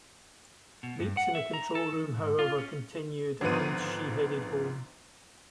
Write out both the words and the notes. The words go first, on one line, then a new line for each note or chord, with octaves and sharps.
Leaks in the control room, however, continued, and she headed home.
B2
G2
F#5
E5
A#5
A4
E3
G#2
F4
C#4
G#1 D3 F3 B3 D#7